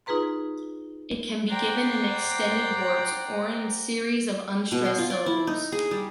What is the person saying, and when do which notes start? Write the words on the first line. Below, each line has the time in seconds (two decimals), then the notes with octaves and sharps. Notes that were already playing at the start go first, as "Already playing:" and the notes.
It can be given in extended words or in series of unstressed syllables.
0.06 D#4 F4 G#4 B4 A#5 C6
1.49 C5 D5 F#5 G5 A#5
4.72 B2
4.85 C6
4.98 F4
5.10 D5
5.26 E4
5.47 D#4
5.72 G#4
5.91 G3